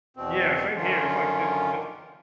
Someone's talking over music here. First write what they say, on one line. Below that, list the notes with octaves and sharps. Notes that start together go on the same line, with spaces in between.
Yeah, same here. It's like it's it's
E2 B2 C4
F#2 D3 D#3 C#4 F4